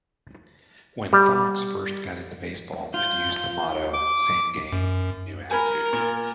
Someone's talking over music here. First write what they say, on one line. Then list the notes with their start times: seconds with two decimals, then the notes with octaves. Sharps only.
When Fox first got into baseball, it used the motto Same game, new attitude.
1.13 G3
2.94 F4 G6
3.93 D6
4.73 F#2
5.51 A#4 G#5 B5
5.93 A#2